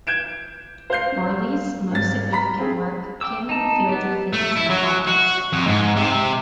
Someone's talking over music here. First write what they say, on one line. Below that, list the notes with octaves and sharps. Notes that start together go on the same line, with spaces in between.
Morley's most-significant work came in the field of physics and optics.
G6 G#6 D7 E7
C5 F5 G6 C7
G#1 A6
A#5 B5 B6
C4 G#4
G5 D6 E6
D#4 A5
B3 G4
A3
E4
F#3
F#4
F2
G#2
C3